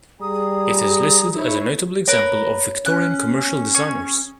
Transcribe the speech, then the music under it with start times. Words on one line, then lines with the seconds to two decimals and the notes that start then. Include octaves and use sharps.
It is listed as a notable example of Victorian commercial designers.
0.21 G3 G#4 A#5 D#6
1.34 D#4 E4 C#5
2.08 A#4 B4 C#5 A#5
2.86 C#4 F#6
3.74 G#4 C#5